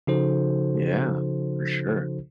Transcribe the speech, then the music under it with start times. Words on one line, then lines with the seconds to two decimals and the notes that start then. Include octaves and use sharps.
Yeah. For sure.
0.07 C#3 F3 D#4 F#4 A4 C5